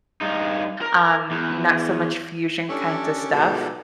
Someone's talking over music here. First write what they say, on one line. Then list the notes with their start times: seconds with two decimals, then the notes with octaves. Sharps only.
um, not so much fusion kinds of stuff,
0.21 G2 D#4
0.82 A#4 A#5
1.31 E2
2.68 C#4 D4 G4 A4 C#5 D5
3.32 B2 F3 G#3 D#4 A4 D5